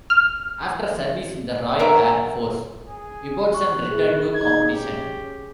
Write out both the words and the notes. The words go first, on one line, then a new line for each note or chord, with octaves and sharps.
After service in the Royal Air Force, Ibbotson returned to competition.
F6
F#3 A#4 E5
G#4
C#6 F#6
E4 G#4
D#4 G#6
C#4 G4